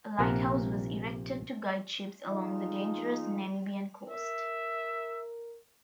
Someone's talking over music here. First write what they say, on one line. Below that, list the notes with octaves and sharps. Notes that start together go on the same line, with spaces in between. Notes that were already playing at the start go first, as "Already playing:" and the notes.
A lighthouse was erected to guide ships along the dangerous Namibian coast.
A#1 C3 A#3 A#4 F#5
F3 G#3 D#4
A#4 E5